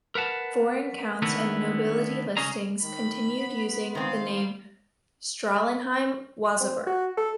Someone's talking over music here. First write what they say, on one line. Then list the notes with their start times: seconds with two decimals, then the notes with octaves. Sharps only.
Foreign counts and nobility listings continued using the name Stralenheim-Wasaburg.
0.15 A#4 B4 F#5 A5
1.22 D3 D#3 A3 B3 E4 A#4
2.37 C#3 G#3 C#4 G#4 A#5
2.83 D#3 B5
3.38 B3
3.95 D#3 C4 F5
6.60 C4
6.86 F#4
7.17 A4